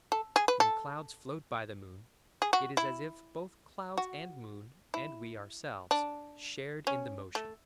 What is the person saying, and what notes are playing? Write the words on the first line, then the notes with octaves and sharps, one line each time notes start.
When clouds float by the moon, it is as if both clouds and moon and we ourselves shared in the motion.
A4
G#4
B4
A4
G#4
F#4
E4
F#4
E4
D4
C#4
A3